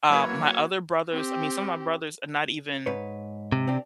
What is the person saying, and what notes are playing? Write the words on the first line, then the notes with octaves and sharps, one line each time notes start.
Uh, my other brothers, I mean, some of my brothers are not even,
F#3 A#3 E4 F#4 A#4 B4 C#5
C4 G4
G#2 B4 C#5
C3
C4 D4 G4